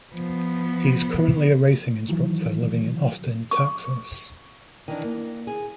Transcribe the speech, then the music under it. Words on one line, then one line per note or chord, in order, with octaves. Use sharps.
He is currently a racing instructor living in Austin, Texas.
F3 B3
D#3 E3 F#3
C#6
D#3 E3 D4
A#3
G#4